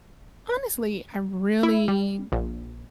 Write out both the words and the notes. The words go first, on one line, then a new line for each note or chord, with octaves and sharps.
honestly, I really
E4
G3
A#1